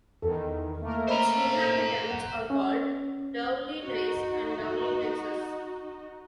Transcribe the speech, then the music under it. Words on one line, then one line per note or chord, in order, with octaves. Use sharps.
Its inhabitants are called Doullennais and Doullennaises.
E2 D#3 A4
A3 A#3 A#4
C5 D#5 A#5 B5
F#5
C#4
D#4 F#4 D#5